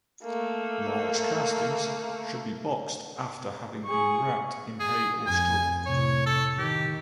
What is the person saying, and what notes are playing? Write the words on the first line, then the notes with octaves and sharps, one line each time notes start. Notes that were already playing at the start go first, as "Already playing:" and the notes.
Large castings should be boxed after having been wrapped in hay or straw.
A3 A#3
G#4 C#6
G#4
F2 G#5
A2 C3 C#5
A4
D#3 G4